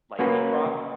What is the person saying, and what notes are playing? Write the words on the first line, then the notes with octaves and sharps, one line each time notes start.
like, beef broth.
A#3 C#4 F#4 B4